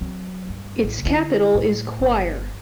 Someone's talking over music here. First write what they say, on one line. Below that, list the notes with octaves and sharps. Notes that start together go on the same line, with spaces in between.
Its capital is Choir.
F#3 C4
G2
A1
D3 E4
A2
G1